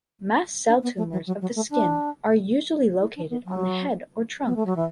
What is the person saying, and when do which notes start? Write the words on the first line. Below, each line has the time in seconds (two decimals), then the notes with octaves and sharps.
Mast cell tumors of the skin are usually located on the head or trunk.
0.68 D4
0.83 B3
0.97 A3
1.12 F#3
1.27 F#3
1.41 F#3
1.55 A3
1.70 D4
3.01 E4
3.16 D4
3.30 B3
3.45 F#3
4.45 B3
4.56 A3
4.66 F#3
4.76 E3